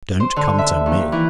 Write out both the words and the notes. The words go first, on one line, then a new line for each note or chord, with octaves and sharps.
Don't come to me.
C5
D3
E5
D#2
E3